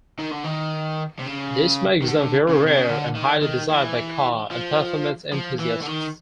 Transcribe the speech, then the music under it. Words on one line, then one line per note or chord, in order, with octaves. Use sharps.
This makes them very rare and highly desired by car and performance enthusiasts.
D#3
D3
D#3
C3
C#3
D#3
D3
C#3
C3
C#3
D3
D#3
D#3
E3
F3
F3
E3
D3
D#3